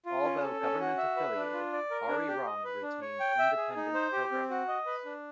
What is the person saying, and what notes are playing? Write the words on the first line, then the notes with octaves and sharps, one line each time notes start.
Although government-affiliated, Arirang retains independent-programming rights.
F4
C#4
A4
C#4
F#4
E5
B4
D4
F4
D5
A#4
D4
G4
D#5
B4
D4
C#5
G5
E5
G#4
D#4
C5
G4
C4
F#4
D#5
B4
D4